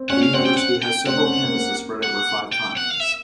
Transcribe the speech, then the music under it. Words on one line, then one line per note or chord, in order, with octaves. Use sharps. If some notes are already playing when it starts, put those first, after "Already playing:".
The university has several campuses spread over five continents.
Already playing: C4
C#4 F#5
F5
C4 F#5
G5
F#5
G5
C4 F#5
C#4
A#3
A#3
F#5
G5
F#5
F5
E5